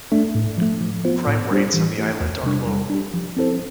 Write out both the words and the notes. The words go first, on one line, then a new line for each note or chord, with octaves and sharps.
Crime rates on the island are low.
A3 D4
A2
F3 A3
F3
B3 F4 C5
A2
G3 D4 G4 C5
E3
A3 E4
E2
C3 G3 D4
G3
D4 G4
F3
C4 E4 A4 C5